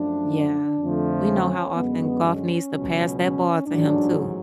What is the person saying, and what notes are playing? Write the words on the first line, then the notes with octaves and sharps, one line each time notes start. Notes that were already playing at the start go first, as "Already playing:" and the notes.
Yeah. We know how often Goff needs to pass that ball to him, too.
Already playing: F#2 F3 A3 D4
F2 D3 F3 A3
C#4
F#2 D3 G#3 B3
C#4
C#2 B2 F#3
C#4
A1 G#2 F#3 D4